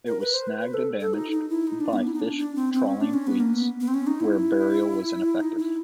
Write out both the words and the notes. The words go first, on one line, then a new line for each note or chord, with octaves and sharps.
It was snagged and damaged by fish trawling fleets where burial was ineffective.
A#4
B4
C5
B4
B4
A4
A4
D#4
D#4
E4
D#4
D4
B3
E4
D#4
D4
D4
C4
C4
C#4
D4
C#4
B3
A#3
B3
B3
C4
C#4
D#4
E4
D#4
E4